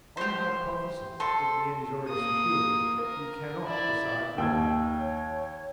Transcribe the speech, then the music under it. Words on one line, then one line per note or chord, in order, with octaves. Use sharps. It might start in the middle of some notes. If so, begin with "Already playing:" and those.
On the hypothesis that the end is already secured you cannot decide wrongly.
G4 C5
A4 C6
A#3 D#6
A#4
E4 D5
D#2 G5 E6 G#6
C#5